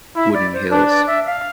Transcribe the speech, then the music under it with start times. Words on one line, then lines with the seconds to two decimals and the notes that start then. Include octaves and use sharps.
Wooden hills.
0.16 E4 E5
0.34 D5
0.53 C5
0.71 D4 B4
0.89 D5
1.07 E5
1.26 F5